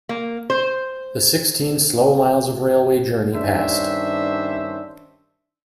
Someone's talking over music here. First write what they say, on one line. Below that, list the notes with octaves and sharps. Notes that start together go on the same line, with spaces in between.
The sixteen slow miles of railway journey passed.
A#3
C5
G2 D#3 C#4 D4 C5 E5